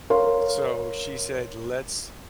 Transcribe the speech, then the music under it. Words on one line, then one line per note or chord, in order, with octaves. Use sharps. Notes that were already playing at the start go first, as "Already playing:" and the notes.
So she said, "Lets"
A#4 C#5 F5 C6